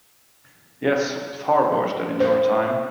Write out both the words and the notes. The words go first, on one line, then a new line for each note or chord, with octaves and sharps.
Yes, far worse than in your time.
C5